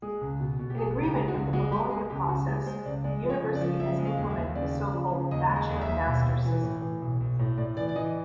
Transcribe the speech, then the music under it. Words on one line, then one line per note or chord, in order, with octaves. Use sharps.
In agreement with the Bologna process, the university has implemented the so-called bachelor-master system.
G#3 G#4
C#2
B2
B2
G4
B2 G#4
C#2
G4
G#3
F#4
C#2
G#3 F#4
G#3 G4
G#3 G#4
C#2 G4
C#2 F#4
G#3 G4
G#3 C5
C#2 D5
G#3 D5
F3
C#5
C#3
D5
F3
C#3 E5
G#3
F5
D#2
E5
D#2
C#3 D5
C#3
F3
C#3
D#2 D#5
G#3
D#5
D#2
E5
D#2
B1
B1
E3
A2
E3
B1
B1
A2
A2 D5
E3 D5
D5
E3 D#5